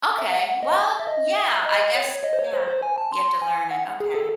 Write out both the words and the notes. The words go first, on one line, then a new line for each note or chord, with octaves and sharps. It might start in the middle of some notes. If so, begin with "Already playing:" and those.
Okay, well, yeah, I guess yeah, you have to learn it. Okay.
E5
F#5
F#5
D#5
E5
D#5
E5
D#5
C#5
C#5
D#5
C5
C#5
C5
C5
G#5
A5
C6
G#5
F#5
G#4
A4